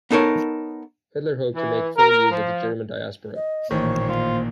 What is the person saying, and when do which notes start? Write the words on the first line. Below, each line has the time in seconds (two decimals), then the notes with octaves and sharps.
Hitler hoped to make full use of the German Diaspora.
0.11 B3 D#4 A4 A#4 C#5
1.54 E3
1.97 A#4
2.30 F3
3.36 D#5
3.71 A1 A#2 D#3 C5 C#5
4.09 F4